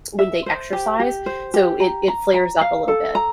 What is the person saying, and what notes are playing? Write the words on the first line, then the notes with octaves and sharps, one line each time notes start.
when they exercise, so it it flares up a little bit.
E5
C5
G4
G4
C5
G4
A#5
A#5
A#5
F5
A4
A#5